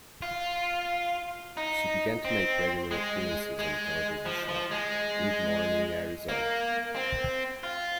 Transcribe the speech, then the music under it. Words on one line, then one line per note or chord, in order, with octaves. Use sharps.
She began to make regular appearances on the television show, Good Morning Arizona.
F4
D#4
C4
G#3
G#3
F3
F3
G#3
A#3
C4
F4